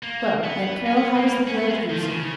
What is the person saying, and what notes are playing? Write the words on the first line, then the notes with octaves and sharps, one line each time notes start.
"Well, Aunt Carroll, how does the world use you?"
A#3
B3
C#4
B3
A#3
A#3
C#4
B3
G#3
D#3
F3
C#3